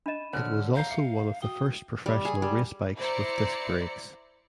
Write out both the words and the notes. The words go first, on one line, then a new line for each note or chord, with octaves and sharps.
It was also one of the first professional race bikes with disc brakes.
D4 D#5 B5 D#7 E7
D3 C5 C#5 A5 F6
F5 A#5 G6 C7
E5 C#7
F#4 G5 D#6 G7
G3
G#4
G3
E4 C5 D5 A#5 C#7